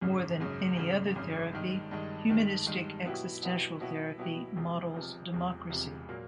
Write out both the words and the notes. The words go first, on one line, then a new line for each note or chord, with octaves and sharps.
More than any other therapy, Humanistic-Existential therapy models democracy.
G#1 F#2 C#3
G#1 F#2 C#3
G#1 F#2 C#3
G#1 F#2 C#3
G2 D#3 G#3
G2 D#3 G#3
G2 D#3 G#3
G2 D#3 G#3
B2 F#3 B3 E4 G4
B2 F#3 B3 E4 G4
B2 F#3 B3 E4 G4
B2 F#3 B3 E4 G4
E1 E2 C3 F3
E1 E2 C3 F3
E1 E2 C3 F3
E1 E2 C3 F3
A#2 F#3 A#3